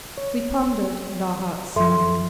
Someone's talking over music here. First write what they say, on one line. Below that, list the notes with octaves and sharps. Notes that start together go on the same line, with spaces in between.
We pondered, and our hearts sank.
C#5
F#2 F3 A4 E5 C6